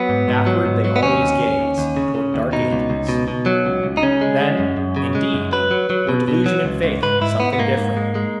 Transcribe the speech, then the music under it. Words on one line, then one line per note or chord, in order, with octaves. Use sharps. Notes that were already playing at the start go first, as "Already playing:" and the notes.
Backward they always gaze toward dark ages: then, indeed, were delusion and faith something different.
Already playing: F#3 B3
G#2
G#2
F#3
G#2
F#3
B3
D#2 C#4
D#2
D#2
D#2
D#2
C#3
C#3
D#2
B2 D#4
C#2
C#2
B2
B2
F#3
C#2
C#2
D#4
C#3 C#4
G#3
G#3
F#2
F#2
C#3
G#3
F#2
F#3 B4
F#3
F#3
B2
B2
F#3
C#2
C#2
G#2 B4
G#2 E4
G#2 B3
B3
G#2 A#3
G#2
G#3
G#3